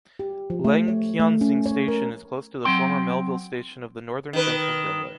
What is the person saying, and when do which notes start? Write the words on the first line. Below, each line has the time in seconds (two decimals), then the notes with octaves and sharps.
Lengquanxiang station is close to the former Melville station of the Northern Central Railway.
0.19 G4
0.50 F3
0.65 A3
0.88 C#5
1.20 A3
1.41 C#4
1.66 C#5
1.88 A#4
2.64 F#3 A#3 C4 G5 C6
4.33 D#3 B4